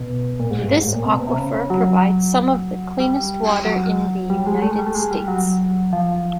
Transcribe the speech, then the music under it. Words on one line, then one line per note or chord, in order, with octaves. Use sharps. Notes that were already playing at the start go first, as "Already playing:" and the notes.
This aquifer provides some of the cleanest water in the United States.
Already playing: B2
A#2
G#2
G2
G#2
A2
A#2
C3
B2
C3
C#3
C#3
F#3
G3
F#3
G3
G#3
A3
G#3
G3
A3
G#3
G3
F#3
F3